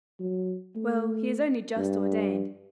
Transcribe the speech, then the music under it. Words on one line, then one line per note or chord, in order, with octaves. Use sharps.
Well, he is only just ordained.
F#3
A3
G2